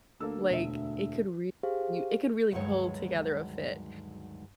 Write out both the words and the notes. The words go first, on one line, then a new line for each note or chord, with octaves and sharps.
Like, it could re u it could really pull together a fit.
D2 A#3 A4 E6
E1 E5
G4 G#4 C5 F5
D2 G2 D#3 F#3 G#3 C#5